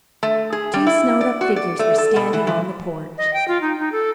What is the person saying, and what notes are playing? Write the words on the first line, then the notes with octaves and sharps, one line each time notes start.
Two snowed-up figures were standing on the porch.
A3
G#4
G3
E4
D5
F#4
D5
A3
A4
B2
E3
E3
D#5
G5
F4
D#4
D#4
A4